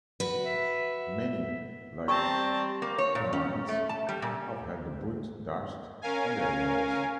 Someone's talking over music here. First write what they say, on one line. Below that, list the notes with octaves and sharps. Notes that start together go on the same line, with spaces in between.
Many, like Comines, have had the boot dashed on their nose.
F#4 B4
E5
G3 C4 A5 A#5 C#6
A#3
C#5
A#2
C#4
A3
A5
G3
A#2
C#4 A#4 F5 G#5